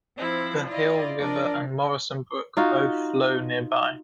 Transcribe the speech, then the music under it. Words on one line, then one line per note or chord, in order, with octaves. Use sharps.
The Hill River and Morrison Brook both flow nearby.
F3 C4 E4
E4 F4 D5 D#5
F3 D4 A#4 D5 D#5
D#4 F4 F#4